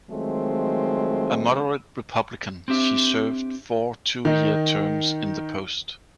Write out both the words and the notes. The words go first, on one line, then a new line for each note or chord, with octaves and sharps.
A moderate Republican, she served four two-year terms in the post.
D#3 F3 F#3 G#3 A3 C4
C4 D4 G4 E5
D#3 D#4